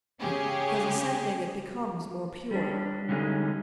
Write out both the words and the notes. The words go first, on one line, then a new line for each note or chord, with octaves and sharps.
Because ascending it becomes more pure.
C#3 G4 G#4
G3 C#4 D4
D3 G3 G#3 C#4 D#4